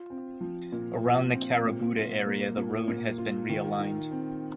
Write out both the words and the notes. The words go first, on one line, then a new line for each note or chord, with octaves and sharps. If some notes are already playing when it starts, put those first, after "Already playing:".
Around the Carabooda area the road has been realigned.
Already playing: F4
C4
F3
A#2
F4
C4
A#2
F4
A#3
A#2
A#2
F4
D#3
D#4
C4